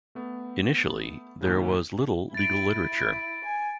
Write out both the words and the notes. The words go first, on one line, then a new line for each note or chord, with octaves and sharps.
Initially, there was little legal literature.
A3 B3
D#2 A2 C#3
E4 A6 D7
G#5